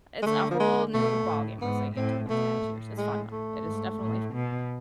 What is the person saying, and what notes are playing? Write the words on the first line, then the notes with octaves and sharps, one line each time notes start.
it's a whole new ballgame once they get to the teenage years, it's fun, though, it is definitely f
G#3
D3 A3
F3
G#3
B2 A3
A2
G#2 B3
A2 C4
B2 A3
A2
G#3
A3
G#2
A2
B2